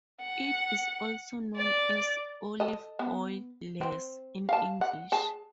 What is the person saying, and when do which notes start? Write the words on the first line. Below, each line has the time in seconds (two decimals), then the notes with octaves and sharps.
It is also known as "olive oil lees" in English.
0.22 F#5
1.57 D5
2.60 A4 D#5
2.99 B3
3.81 C4
4.49 F5 A5
4.81 F#5
5.12 G#4 A5